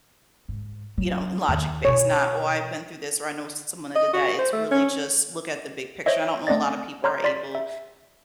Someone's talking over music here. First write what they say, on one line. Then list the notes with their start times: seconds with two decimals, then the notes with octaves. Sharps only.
you know, and logic-based not, "Oh, I've been through this, or I know someone that did that." It's really just look at the big picture. I don't know a lotta people are able
0.48 G#2
0.98 F#3
1.48 D#2 D#3
1.85 B2 E4 C#5
3.95 D#5
4.13 F#4
4.39 C5
4.53 A3
4.71 C#4
6.06 C5 C#5 D#5 E5
6.47 A3 C4 D5 D#5 A6
7.04 C#5 A#5 C6 F6 G6
7.24 D5 C6 B6
7.55 E5